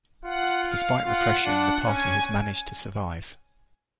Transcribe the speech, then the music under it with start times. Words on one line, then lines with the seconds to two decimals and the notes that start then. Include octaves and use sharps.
Despite repression, the party has managed to survive.
0.24 F4 F#5
0.65 F5
1.06 F4 F#5
1.46 D4
1.87 C#4 G#5